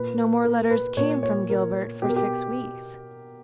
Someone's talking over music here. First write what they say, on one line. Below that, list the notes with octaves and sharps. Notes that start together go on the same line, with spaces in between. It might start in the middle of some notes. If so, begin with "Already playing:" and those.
No more letters came from Gilbert for six weeks.
Already playing: A#2 B4
A#4
B4
A#2 C#5
C#5
A#4
B2 G4
A#4
G4